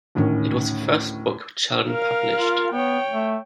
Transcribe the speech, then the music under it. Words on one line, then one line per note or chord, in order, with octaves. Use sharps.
This was the first book Sheldon published.
D2 A2 D#3 C#4
A#4 F5
F4
B3 C#5 G5
A3